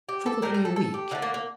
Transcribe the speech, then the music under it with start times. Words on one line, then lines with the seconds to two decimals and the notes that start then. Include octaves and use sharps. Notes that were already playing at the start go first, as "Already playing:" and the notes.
"Probably a week."
0.09 G4
0.26 A4
0.42 A2 G3 A#4
0.54 A#4
0.65 A4
0.76 A4
0.94 G4
1.11 D3 D#4
1.15 A3
1.22 A#3
1.34 A#3